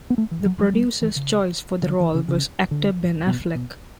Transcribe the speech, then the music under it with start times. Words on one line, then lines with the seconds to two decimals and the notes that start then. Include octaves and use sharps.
The producers' choice for the role was actor Ben Affleck.
0.10 B3
0.18 A3
0.31 E3
0.46 F#3
0.60 F#3
0.74 G3
1.02 E3
1.16 C#3
1.82 C#3
1.86 D3
2.00 E3
2.15 C#3
2.28 C#3
2.71 D3
3.27 B2
3.55 B2